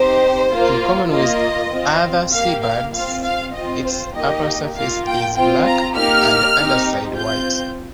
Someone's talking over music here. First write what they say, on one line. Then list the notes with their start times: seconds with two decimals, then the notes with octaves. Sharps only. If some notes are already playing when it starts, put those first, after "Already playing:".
In common with other seabirds, its upper surface is black and underside white.
Already playing: C4 D#4 G4 C5
0.51 A#3 F4
1.12 A#3 F4 D#5
1.72 C4 F4
2.33 A#3 G4 F5
2.63 F5
2.94 C4 F4 F5
3.24 F5
3.54 C4 F4 D#5
3.85 C5
4.15 A#3 D#4 G4 D#5
4.76 A#3 F4 F5
5.06 G5
5.36 C4 F4 G5
5.66 A#5
5.96 A#3 D#4 G4 F6
6.57 C4 D#4 G4
7.18 C4 F4 G6